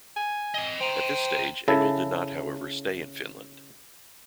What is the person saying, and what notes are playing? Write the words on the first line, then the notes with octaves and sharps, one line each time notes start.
At this stage Engel did not however stay in Finland.
G#5
C4 D#5
C5 G5 A#5
C#3 E4 A4